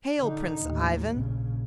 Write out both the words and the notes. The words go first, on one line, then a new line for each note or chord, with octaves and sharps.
'Hail, Prince Ivan!
D3 D#4
D#2 A2
A#1 C#3